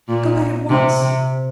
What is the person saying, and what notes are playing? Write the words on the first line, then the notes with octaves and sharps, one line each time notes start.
Go back at once!
A#2
C3
C3